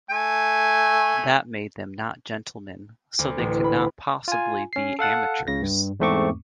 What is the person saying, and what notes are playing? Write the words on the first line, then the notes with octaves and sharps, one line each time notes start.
That made them not gentlemen so they could not possibly be amateurs.
A3 G#5
D2
A1
B5
F4 G#5
C#4 C7
A4 F5 F#5 A5
C#2 C#3 A#6
G2
E2 G#2 A3 C4 C#6 D6